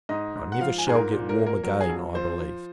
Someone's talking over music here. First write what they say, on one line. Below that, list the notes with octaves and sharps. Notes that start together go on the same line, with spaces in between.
I never shall get warm again, I believe.
G#2 D#5
G#2
F#5
F3 F5
G#5
G#2 G#4
A#4
A#2
A#4
A#3
A#4
F#3 A#4
G#4
F2
F3 C5
F3